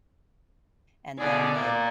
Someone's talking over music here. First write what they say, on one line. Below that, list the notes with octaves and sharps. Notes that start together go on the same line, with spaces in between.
and then it
B2 D3 G#4 D5
A#2 A#3